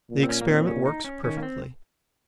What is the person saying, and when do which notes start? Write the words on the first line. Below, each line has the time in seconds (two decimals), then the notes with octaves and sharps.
The experiment works perfectly.
0.11 A#2
0.23 C4
0.29 C#4
0.41 A#3
0.48 C4
0.67 C#4
0.86 D#4
1.04 C#4
1.24 D#3 C#4
1.37 A#3
1.43 C4